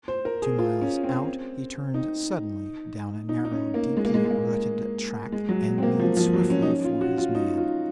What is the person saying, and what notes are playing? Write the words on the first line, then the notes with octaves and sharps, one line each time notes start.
Two miles out he turned suddenly down a narrow, deeply rutted track, and made swiftly for his man.
C5
A#4
G#4
F4
C#4
C4
D#4
D#4
D#4
C#4
A#3
G#3
A#3
G#3
G#3
A#3
G#3
F#3
C4
A#3
F3
F3
F#3
C#4
D#4
C#4
F4
F#4
F4
D#4
F4